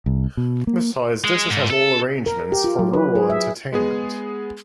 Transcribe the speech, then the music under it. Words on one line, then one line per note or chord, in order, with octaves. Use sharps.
Besides this, it has all arrangements for rural entertainment.
C2
B2
A#3
G#3
G#2
A4
A#4
G4
F4
F#3
B4
G#4
E5
G#3 B3 G#4